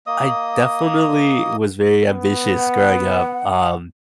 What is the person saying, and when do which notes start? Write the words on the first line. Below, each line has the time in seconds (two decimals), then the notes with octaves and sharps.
I definitely was very ambitious growing up, um,
0.07 A#3 D#5 D#6
2.07 B3
2.56 F#5